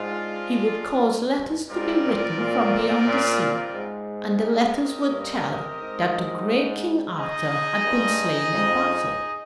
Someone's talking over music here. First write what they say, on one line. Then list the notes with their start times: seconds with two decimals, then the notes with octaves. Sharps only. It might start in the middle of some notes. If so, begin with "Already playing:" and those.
He would cause letters to be written from beyond the sea, and the letters would tell that the great King Arthur had been slain in battle.
Already playing: G#2 G#3 D4 F4
1.01 G2
1.36 G2
1.69 G#2 G3 C4 F4 A#4 D5
2.04 A#2
2.38 A#2
3.06 A#2
3.74 G#2
4.42 C4 G4 A#4 D#5
5.11 G2
5.79 G#2
7.17 D#4 G#4 D#5
7.84 G2
8.53 F2